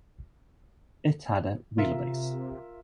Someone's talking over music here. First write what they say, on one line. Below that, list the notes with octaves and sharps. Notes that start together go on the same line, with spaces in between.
It had a wheelbase.
C3 F4 A#4 E5